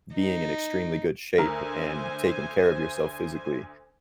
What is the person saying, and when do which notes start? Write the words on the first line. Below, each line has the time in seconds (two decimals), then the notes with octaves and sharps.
being in extremely good shape and taking care of yourself physically.
0.15 D#4
1.38 D2 A#4 C5 G#5